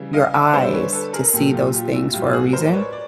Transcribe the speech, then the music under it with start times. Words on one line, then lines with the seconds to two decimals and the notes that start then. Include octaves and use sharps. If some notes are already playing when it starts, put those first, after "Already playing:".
your eyes to see those things for a reason,
Already playing: C#3 E3 G3
0.13 D#5 F5
0.34 D5 E5
0.53 D3 G3 C5 D5
0.73 B4 C#5
0.93 A4 B4
1.13 G#4 A#4
1.33 A#2 F#3 G4 A4
1.53 F4 G4
1.74 F4 G4
1.93 E4 F#4
2.13 A2 F#3 F4 G4
2.33 F#4 G#4
2.53 A#4 C5
2.67 D5
2.73 B4 C#5
2.92 D5